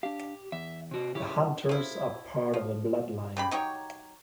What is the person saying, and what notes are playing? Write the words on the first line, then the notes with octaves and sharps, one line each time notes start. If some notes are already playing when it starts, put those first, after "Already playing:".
The Hunters are part of a bloodline.
D4 G4 F5
E2 E5
C3 F#4
C#3 E4 G4 C#5
F3 E4
F3
C#3 G4 B5
F#3 D#4 G4 C#5